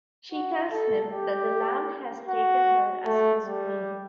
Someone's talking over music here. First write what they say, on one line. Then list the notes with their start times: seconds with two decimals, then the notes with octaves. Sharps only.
She tells him that the Lamb has taken her as His queen.
0.32 F#4
0.71 A4
1.10 G4
2.27 F#4
3.05 A3
3.44 G3